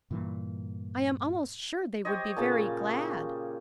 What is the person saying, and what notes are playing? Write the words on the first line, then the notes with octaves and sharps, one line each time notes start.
"I am almost sure they would be very glad."
G2 A#2 E3
G4 C5 C#5 D#5
A#2 C#3 A5